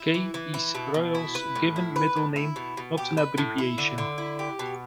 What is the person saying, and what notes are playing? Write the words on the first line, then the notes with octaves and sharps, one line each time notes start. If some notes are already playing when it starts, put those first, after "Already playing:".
"K" is Royal's given middle name, not an abbreviation.
Already playing: E4
E3
E3
E4
B2
B2
E4
B4
A2
E4
B4
A2
E4
B2
B2
G4
B4
A2
E4
D3
D3
E4
G4
B2